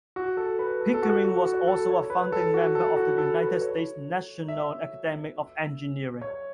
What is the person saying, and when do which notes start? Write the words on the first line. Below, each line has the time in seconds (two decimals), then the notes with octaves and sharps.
Pickering was also a founding member of the United States National Academy of Engineering.
0.16 F#4
0.37 A4
0.59 B4
0.81 A4
0.94 A4
1.03 F#4
1.24 F#4
1.45 F#4
1.67 A4
1.89 C#5
2.10 B4
2.32 A4
2.54 F#4
2.75 A4
2.96 F#4
3.18 A4
3.41 B4
3.61 C#5
4.48 E5
6.21 C#5